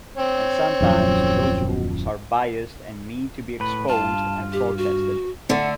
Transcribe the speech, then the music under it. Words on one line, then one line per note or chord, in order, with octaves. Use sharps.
And sometimes those rules are biased and need to be exposed and protested.
C4 C#5
D#1 F#2 F3
A2 B4 B5
G2 F4 A5
G4
F#4
D3 A3 F#5